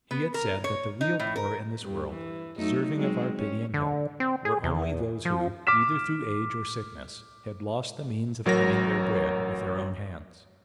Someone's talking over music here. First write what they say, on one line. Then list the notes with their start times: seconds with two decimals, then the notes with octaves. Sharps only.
He had said that the real poor in this world, deserving of our pity and help, were only those who, either through age or sickness, had lost the means of earning their bread with their own hands.
0.11 B3
0.34 A#4
0.64 C#5
1.01 D#4
1.20 A2
1.36 A#4
1.82 G2
2.12 E3
2.57 F#3 A3 D#4
2.95 F#3 G#3 C4
3.37 C#4
3.74 D3
4.20 C4
4.45 G#4
4.64 E2
5.25 F3
5.67 D6 F6 B6 E7
8.46 A1 F#3 A#4 C#5 A#6